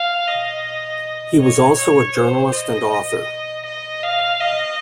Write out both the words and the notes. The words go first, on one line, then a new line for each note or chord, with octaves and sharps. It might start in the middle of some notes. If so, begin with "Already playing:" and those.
He was also a journalist and author.
Already playing: F5
D#5
C#5
C#5
C5
D#5
D#5
F5
D#5